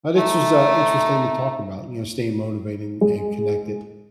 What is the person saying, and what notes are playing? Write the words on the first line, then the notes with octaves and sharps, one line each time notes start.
Uh, this was, uh, interesting to talk about, you know, staying motivated and and connected,
A3 D#4
G#3